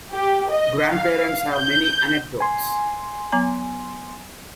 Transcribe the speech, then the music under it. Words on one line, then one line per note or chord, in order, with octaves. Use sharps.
Grandparents have many anecdotes.
G4
D#5
F5
G6
G#5 C6
F#3 B3 A#5